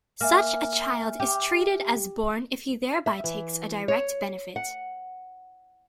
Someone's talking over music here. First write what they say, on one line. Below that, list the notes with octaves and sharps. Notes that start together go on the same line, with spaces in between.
Such a child is treated as born if he thereby takes a direct benefit.
A#3 E5 G#5 F6
G4
E5
E3
C#5
F#5